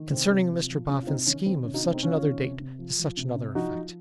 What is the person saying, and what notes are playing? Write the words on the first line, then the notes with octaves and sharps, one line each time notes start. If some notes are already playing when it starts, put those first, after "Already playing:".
Concerning Mr Boffin's scheme of such another date to such another effect.
Already playing: D#3
C3 C4
C3
F3
F3
C3 C#4
F4
C3 C4 D#4
D#3 C#4
D#3 C4
C3 C#4
D#4 F#4
C3 C#4
C4 D#4
D#3 C#4 F4
D#3
C3
C3
F3
F3
C3
C3
F3 D#4 F#4
F3